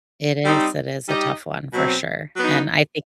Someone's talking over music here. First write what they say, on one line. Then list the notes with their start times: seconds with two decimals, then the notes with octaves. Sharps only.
It is it is a tough one for sure, and I think
0.45 G3 C4 D#4
1.09 G3 D#4 G4 D#5
1.73 B2 F#3 C4
2.37 F#3 B3 D#4